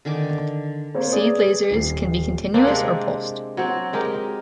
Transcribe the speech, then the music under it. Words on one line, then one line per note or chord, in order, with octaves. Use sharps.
Seed lasers can be continuous or pulsed.
D3 D#3 G#5 D6
A#3 C4 C#5
G#4 B4 D5
D#1 C7
A#3 C4 D4
C3 G#3
F#3 C4
G#3 G4 A#4